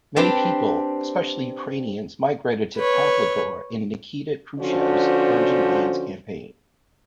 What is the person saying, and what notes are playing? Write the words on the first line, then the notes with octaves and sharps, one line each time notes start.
Many people, especially Ukrainians, migrated to Pavlodar in Nikita Khrushchev's Virgin Lands Campaign.
C4 D4 G4 B4
B4 C#5
D3 F3 C#4 D4 F#4 C5